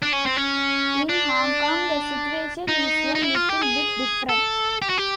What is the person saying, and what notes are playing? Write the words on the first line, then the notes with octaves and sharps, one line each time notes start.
In Hong Kong, the situation is a little bit different.
D4
C#4
C4
C#4
D4
D#4
D#4
E4
F4
G4
G#4
A4
G4
F#4
G4